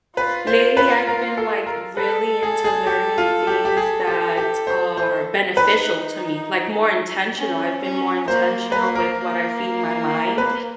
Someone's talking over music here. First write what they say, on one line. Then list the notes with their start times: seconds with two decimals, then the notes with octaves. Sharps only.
lately I've been, like, really into learning things that are beneficial to me, like, more intentional, I've been more intentional with what I feed my mind,
0.17 F4 B4
0.47 C5
0.77 B4
1.07 A#4
1.37 A4
1.66 A#4
1.97 A4 B4
2.43 G#4
2.64 G#4
2.87 G4
3.18 F4
3.47 G4
3.65 G4
3.77 G#4
4.07 G4
4.37 G4
4.67 C5
4.97 C5
5.57 D#4 B4
7.37 C#4
7.83 C#4
8.27 A#3 C5
8.72 A#3 B4
8.95 A#4
9.18 A#3
10.38 B4